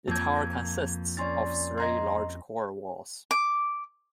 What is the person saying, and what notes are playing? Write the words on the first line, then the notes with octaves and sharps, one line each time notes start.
The tower consists of three large core walls.
F2 A#3 A5 G6 G#6
C#4 A#4 D5 C6 A6
D#5 A#5 C6 G#6 A#6
D6